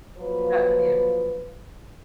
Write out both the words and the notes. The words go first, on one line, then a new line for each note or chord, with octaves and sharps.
but, you know.
F3 F#3 A#3 F4 B4